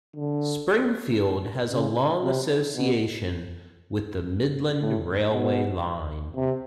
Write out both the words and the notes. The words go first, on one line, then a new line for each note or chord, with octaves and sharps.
Springfield has a long association with the Midland railway line.
D3
C#3
C3
B2
A2
B2
C3